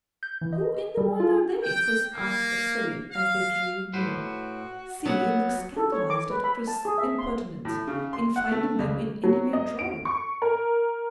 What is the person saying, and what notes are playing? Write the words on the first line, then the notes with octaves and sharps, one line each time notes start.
"Who in the world are they?" Chris asked of Cilley as they drew near. Cilley looked scandalized at Chris's impertinence in finding them in any way droll.
G6
E3
D#5
G3
F4
G5
A#3
F5
A2 F#4 B4 C5
F#3 B3 F#5
A4
C#5
D6
B4
B5
A5
G#4
E5
C6
A2
C#3
C6
F#5
A3
C#2
F#3
D#5
D7
C#6
A#4